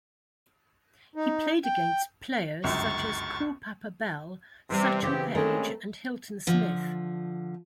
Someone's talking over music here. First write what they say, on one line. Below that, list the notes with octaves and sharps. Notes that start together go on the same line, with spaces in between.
He played against players such as Cool Papa Bell, Satchel Paige, and Hilton Smith.
D#4
G5
G1 C#2 F#2 C#6 A6
C3 E3 G3
B1 C#3 E3 C4 G4
G2 G#3 A3 C4 C#4 A#4
D3 F3